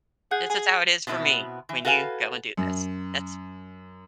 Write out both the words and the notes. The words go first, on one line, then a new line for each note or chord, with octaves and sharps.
This is how it is for me when you go and do this. That's f
G#4 F#5 F#6 G6
G#4 G#5
B2 B3 C4 E4 B4
E3
F#4 A4 B4 F5 G5 G#5
F#2